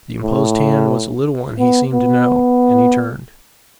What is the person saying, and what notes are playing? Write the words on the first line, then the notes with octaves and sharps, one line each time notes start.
The imposed hand was a little one he seemed to know, and he turned.
A2
B3
B3